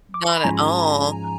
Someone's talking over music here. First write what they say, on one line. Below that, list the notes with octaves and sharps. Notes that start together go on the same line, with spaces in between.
Not at all.
D6
C#6
C6
B5
G#2 F3 G#3 C#4 G#5 A#5